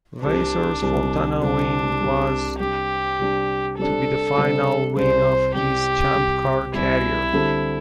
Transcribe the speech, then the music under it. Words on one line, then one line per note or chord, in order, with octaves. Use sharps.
Vasser's Fontana win was to be the final win of his ChampCar career.
C2 C3 G3 D4
C2 C3 G3
C2 C3 G3 D4
C2 C3 G3
C3 G3 D4 G4
C3 G3 D4
C3 G3 D4 A4
C3 G3 D4
C2 C3 G3 C5
C2 C3 G3 G4
C2 C3 G3
C2 C3 G3 E4
D3 G3 C4 A4